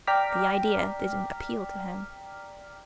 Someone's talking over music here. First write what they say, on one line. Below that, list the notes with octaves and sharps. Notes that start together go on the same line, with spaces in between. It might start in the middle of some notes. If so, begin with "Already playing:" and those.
The idea didn't appeal to him.
D5 G5 A#5 D6 F6 B6